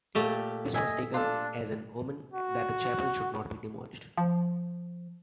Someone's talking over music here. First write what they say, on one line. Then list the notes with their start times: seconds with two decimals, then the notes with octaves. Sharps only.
This was taken as an omen that the chapel should not be demolished.
0.15 A#2 A3 G4
0.74 D#5 E5 G#5
1.14 D4 F4 A4
2.34 F#4
4.18 F3